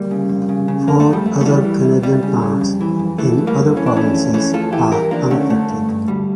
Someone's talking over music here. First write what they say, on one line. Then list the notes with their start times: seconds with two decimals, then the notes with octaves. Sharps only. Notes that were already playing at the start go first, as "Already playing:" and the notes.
Four other Canadian plants, in other provinces, are unaffected.
Already playing: D2 G3 A#3
0.11 C#3
0.29 F2
0.49 C#3
0.68 C#3
0.87 F2 A#3
1.00 A3
1.07 F2
1.13 G3
1.26 F2 A3
1.41 A3
1.45 E3 G3
1.64 E3
1.84 C#2
2.03 C#2 G3
2.23 C#3
2.42 C#3
2.61 F2
2.81 E3
2.99 F2
3.18 E3 A3
3.38 F2
3.47 G3 A#3
3.58 F2
3.76 E3 C#4
3.86 D4
3.96 E3 A3 C#4
4.15 F2
4.34 E3 A3 C#4
4.53 F2 F4 A4
4.73 E3 E4 G4
4.92 G2 G4 A#4
5.11 F3 A#3 D4
5.30 D3 A3 C#4
5.50 D3 A3
5.69 G2
5.89 G2
6.08 D2 G3